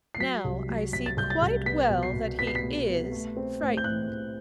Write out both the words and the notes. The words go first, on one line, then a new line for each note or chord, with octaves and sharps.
Now I see quite well that he is frightened.
C7
F#3 B6
C2
F#3
C3 B6
A6
C2 G6
A6
C2
B3 B6
B2
C7
B2
B3 B6
C7
B6
B2
B3
A3
C4
A2
G6
A2 F#6
A2